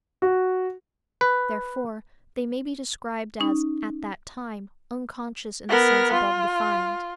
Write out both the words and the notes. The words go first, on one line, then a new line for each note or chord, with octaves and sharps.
Therefore, they may be described as "at that time" unconscious in the sense above defined.
F#4
B4
C#4 D#4
B3 A#4
F4